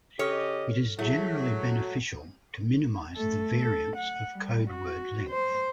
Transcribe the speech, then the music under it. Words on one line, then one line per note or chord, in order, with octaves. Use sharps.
It is generally beneficial to minimize the variance of codeword length.
C#3 G4 A4 C#5 D#5 F6
F#3 A3 E4 G#4
A3 A4
A4
F#5
G3
F#4
C5